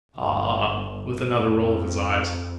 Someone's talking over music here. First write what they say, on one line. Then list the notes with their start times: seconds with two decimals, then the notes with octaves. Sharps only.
'Ah!' with another roll of his eyes.
0.17 G1
1.41 F2